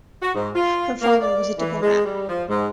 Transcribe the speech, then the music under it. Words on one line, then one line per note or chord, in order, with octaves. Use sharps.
Her father was a diplomat.
F#4
G#2
F4
A#3
D5
E3
G#3
G3
F3
G#2